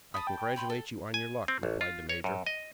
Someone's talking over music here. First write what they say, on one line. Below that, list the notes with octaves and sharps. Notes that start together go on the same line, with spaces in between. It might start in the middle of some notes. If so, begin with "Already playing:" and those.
"I congratulate you on your luck," replied the major.
A5 B5 D#6
G5
C#5 B5 C6
A4
G#5
C4
A1
F4
C#5
F#2
D#5